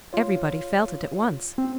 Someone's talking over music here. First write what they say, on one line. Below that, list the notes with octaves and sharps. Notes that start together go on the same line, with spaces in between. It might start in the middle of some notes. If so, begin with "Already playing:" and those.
Everybody felt it at once.
F4 C#5
C4